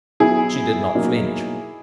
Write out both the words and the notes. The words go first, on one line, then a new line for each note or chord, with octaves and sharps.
She did not flinch.
B2 F#3 B3 E4 G#4
B2 F#3 A#3 D#4